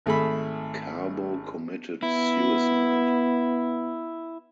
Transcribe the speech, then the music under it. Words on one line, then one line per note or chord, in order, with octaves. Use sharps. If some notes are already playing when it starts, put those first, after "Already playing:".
Carbo committed suicide.
G#1 A3 G#4 A4 B5
B3 E4